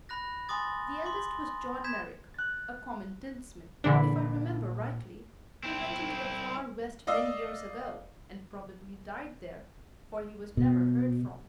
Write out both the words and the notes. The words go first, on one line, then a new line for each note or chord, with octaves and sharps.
The eldest was John Merrick, a common tinsmith, if I remember rightly, who went into the far west many years ago and probably died there, for he was never heard from.
B5 F#6 A#6
G#5 C6 D6 D#6 A6
C6 D6
G6 G#6 B6 E7
F#6 A6
A#1 A#2 D3 E3 D4 B5
C4 E4
D5 D#5 F5 E6
B2